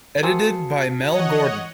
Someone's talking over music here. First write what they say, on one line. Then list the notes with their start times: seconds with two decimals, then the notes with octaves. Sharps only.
Edited by Mel Gordon.
0.23 A#3 C4 F#4 G#4 A5 C#7
1.10 E3 C#5 D#5 F#5